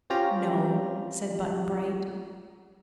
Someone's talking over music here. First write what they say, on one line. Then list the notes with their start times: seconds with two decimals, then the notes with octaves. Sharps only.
"No," said Button-Bright.
0.10 C4 C#4 F4 G4 A#5